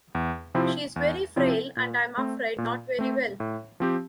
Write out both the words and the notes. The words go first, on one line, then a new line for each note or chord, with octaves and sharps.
She is very frail and I'm afraid not very well.
E2
C3 F3 C4 E4
E2
C3 F3 C4 E4
A#2
A3 C4
A#2
A3 C4
A2
F3 C4 G4